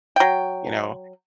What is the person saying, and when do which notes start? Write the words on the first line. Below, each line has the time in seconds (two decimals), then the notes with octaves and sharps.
you know?
0.16 F#3 G5